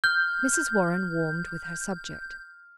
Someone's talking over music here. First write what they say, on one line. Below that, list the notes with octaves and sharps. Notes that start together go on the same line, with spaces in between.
Mrs. Warren warmed with her subject.
F6 G6